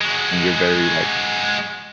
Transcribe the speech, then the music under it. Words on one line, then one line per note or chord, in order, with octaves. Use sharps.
And you're very like
G#3 F#4